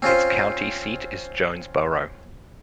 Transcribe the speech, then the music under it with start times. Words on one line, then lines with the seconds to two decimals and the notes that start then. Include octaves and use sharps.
Its county seat is Jonesboro.
0.02 C4 C#4 F4 C5